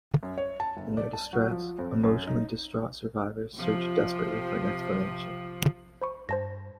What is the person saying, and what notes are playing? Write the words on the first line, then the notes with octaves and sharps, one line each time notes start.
In their distress, emotionally distraught survivors searched desperately for an explanation.
F#2
C#5
A5
G1
D5
A5
F#3
F3
F2
F#2
D#4
C3 F3
C5 B5 C#6
G2 C5 A5 A#6